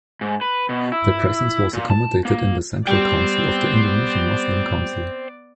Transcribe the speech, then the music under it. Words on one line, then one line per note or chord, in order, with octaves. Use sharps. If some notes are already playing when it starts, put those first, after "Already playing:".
Their presence was accommodated in the Central Council of the Indonesian Muslim Council.
G#2
B4
B2
E4
A#2
A5
A#3
G3 B3 C5 D5 G5 C#6